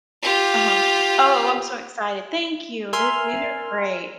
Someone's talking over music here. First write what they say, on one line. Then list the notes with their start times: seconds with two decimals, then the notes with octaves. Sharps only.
Uh-huh. Oh, I'm so excited. Thank you. This these are great.
0.22 F4 G4
2.93 A#4 E5 G#5 C6 F6